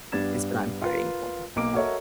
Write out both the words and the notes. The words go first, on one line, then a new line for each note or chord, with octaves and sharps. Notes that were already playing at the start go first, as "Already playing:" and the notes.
is what I'm fighting for.
G2 B3 D4 G#6 A6 E7
F4 A#4 B4
B1 A#3 D6 D7
F#4 A4 A#4 C#5 D#5 E5